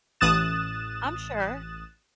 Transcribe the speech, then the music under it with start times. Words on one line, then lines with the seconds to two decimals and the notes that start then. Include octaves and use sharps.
I'm sure.
0.21 A1 D#6 F#6 A6 E7